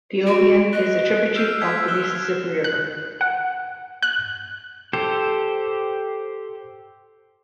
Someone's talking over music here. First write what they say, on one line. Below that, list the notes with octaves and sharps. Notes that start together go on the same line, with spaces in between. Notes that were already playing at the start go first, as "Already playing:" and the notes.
The Obion is a tributary of the Mississippi River.
F#4 D7
D#5 F#6
E6 F6 G6 C7
G6 G#6 B6
F#6 E7 G7
F#6
F#5
F#6
G4 A4 C5